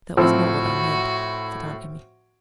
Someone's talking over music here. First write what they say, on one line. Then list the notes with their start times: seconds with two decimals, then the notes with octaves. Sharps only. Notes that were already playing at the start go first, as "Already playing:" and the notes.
"That was not what I meant," said Aunt Emmy.
0.17 A2 F3 C4 F#4 E6